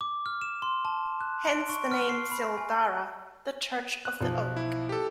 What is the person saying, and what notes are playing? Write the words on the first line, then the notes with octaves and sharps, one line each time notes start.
Hence the name Cill Dara, the church of the oak.
D6
F6
E7
C6
A5
F#6
D7
C#6
F6
C7
B5
G#5
F#6
B1 F3
E4
G4 A4